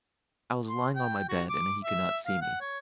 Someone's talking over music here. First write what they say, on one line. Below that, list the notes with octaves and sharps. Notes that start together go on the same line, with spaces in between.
I was lying on my bed, and he could not see me.
C6
G5
F#4
D6
E5
F5
F#5
C#5